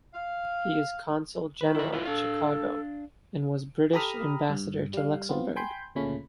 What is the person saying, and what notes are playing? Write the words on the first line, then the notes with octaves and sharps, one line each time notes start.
He is Consul General at Chicago, and was British Ambassador to Luxembourg.
F5
D#3 B4
E4 B4
E4 F4 B4
D4 A4 F5
G4 A4 A#5 B5 D#6 F6
G2
G3 F5
B3 C4 F4
G5 G#5 B5 C6 G6
D2 A#2 C#3 A3 C#4 B5